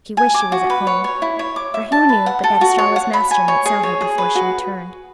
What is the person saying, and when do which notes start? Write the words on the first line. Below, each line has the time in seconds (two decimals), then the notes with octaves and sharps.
She wished she was at home, for who knew but that Estralla's master might sell her before she returned.
0.17 G#5
0.34 D6
0.52 F#4
0.70 B4
0.87 C#5
1.04 C#5
1.22 E4
1.39 C#5
1.56 D6
1.74 E5
1.92 A5
2.09 B4
2.26 F#5
2.44 A4
2.61 F#4
2.78 C#5
2.96 F#5
3.13 B5
3.31 G#5
3.48 C#5
3.66 G#4
3.83 C#5
4.01 G#4
4.18 B4
4.35 F#4